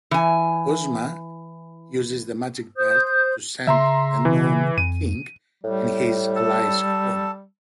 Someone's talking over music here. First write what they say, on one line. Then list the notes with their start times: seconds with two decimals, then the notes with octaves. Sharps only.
Ozma uses the magic belt to send the Nome King and his allies home.
0.11 E3 G#5
2.77 C5 D#6 G6
3.67 C#3 E5 A#5 C6
4.25 E3
4.78 F2 D#7
5.64 A2 G3
6.36 A4 A5